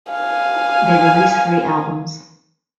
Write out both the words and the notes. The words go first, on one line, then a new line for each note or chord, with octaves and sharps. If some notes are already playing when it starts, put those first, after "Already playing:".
They've released three albums.
F5 G#5